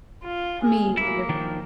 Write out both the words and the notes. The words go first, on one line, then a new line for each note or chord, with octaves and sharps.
I mean, he was
F4
G#4
A#3 E4
D#3 F3 D4